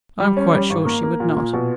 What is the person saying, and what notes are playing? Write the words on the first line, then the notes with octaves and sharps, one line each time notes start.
I am quite sure she would not.
G3
C#4
G3
G#1
A#3
A#3
A#2
A#2
B2